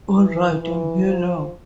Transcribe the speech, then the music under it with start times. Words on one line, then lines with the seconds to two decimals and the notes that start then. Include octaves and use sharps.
Alright. I'm here now.
0.16 E3
0.62 E3
1.06 F3